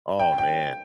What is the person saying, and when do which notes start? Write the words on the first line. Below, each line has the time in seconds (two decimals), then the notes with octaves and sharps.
Oh, man.
0.19 G5
0.38 G5